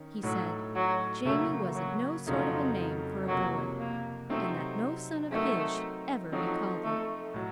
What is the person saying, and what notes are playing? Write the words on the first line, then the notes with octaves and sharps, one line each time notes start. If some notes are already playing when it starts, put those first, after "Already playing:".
He said 'Jamie' wasn't no sort of a name for a boy, and that no son of his should ever be called it.
Already playing: D#3 C#4
A2 F#3 A3 D#4
F#3
C#3 F#3 A3 A#3
F#3
F2 C#3 F3 F#3 A3 D#4
C3 F3 F#3 A#3
A#3
C3 F#3 A3 C4 D#4
F#3 A3 C4 D#4 A#4
F3 F#3 A3 C4 D#4
A3
A2 F#3